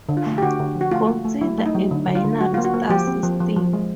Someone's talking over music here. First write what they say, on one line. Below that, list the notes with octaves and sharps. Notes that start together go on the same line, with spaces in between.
Consider a binary star system.
D3
F4
A3
G4
D3 F#4
D3
F3
F#4
A3 F4
A3
A3
F#3 E4
A3
D#4
F#3
D3
D3
F4
D3
F#3 F#4
A#3 F4
F#4
A#3
F3 G4
C4
F3
F3
F3
G#3